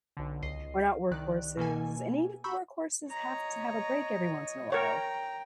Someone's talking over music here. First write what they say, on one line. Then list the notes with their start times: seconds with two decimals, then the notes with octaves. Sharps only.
We're not workhorses, and even workhorses have to have a break every once in a while.
0.17 B1 D3
0.42 C#2 D#5 C7
1.11 C2 D#3 D5 F#6
1.57 B2 A#3 A4 G#5
2.44 A#5 B5 C#6 E6 G6
3.11 C#5 D#5 A#5
4.72 A#4 C#5 G5 A#5